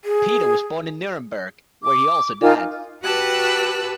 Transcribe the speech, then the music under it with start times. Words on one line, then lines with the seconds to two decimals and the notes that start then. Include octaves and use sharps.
Peter was born in Nuremberg, where he also died.
0.05 G#4
1.82 D6
2.41 D#4 F4 A#4 G#5
3.02 F#4 G4 B4 A5 E6 F#6